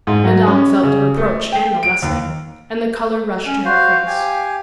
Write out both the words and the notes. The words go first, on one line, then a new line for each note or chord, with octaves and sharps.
Madame felt the reproach and the lesson, and the color rushed to her face.
G#2
F#3
C#4
C#3
A3
G5
D7
D#2
C#4
F#4 C5 F5
G4 G#5